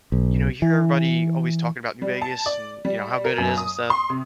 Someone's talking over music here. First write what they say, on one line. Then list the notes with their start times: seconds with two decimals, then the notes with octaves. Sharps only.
you know, you hear everybody always talking about New Vegas and, you know, how good it is and stuff.
0.12 B1
0.62 E3
2.02 G3
2.22 A5
2.46 D5
2.85 G3
3.25 A#4
3.38 F#2
3.57 D#6
3.90 C6
4.10 C3